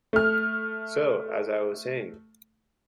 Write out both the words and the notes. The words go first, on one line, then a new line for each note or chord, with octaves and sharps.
So, as I was saying.
A3 F6